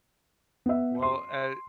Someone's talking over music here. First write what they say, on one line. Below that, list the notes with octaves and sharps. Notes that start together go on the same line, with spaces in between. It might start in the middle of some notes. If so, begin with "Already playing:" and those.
Well, a
B3 E5
C6